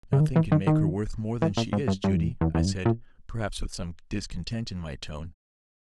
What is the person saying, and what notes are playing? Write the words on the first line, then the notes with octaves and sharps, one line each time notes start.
"Nothing can make her worth more than she is, Judy," I said, perhaps with some discontent in my tone.
C#3
D#3
E3
D#3
D#3
E3
A#2
G#2
G2
G2
E2
E2
E2
G2
A#2